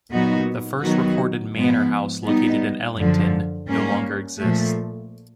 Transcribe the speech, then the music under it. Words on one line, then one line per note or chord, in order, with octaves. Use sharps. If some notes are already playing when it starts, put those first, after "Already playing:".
The first recorded manor house located in Ellington no longer exists.
A#2 F#3 B3 D#4 F#4
D#3 F#3 B3 D#4 F#4
G#2 F3 G#3 B3
G3 B3 D#4
F#2 D3 F3
G3 A#3 C#4
A#2 F3 A3